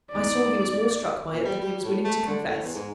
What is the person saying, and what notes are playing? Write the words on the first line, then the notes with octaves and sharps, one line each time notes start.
I saw he was more struck by it than he was willing to confess.
E2 D#4 D5
A#2
G3
G3
A2
A3
D3
A2
E2
G#2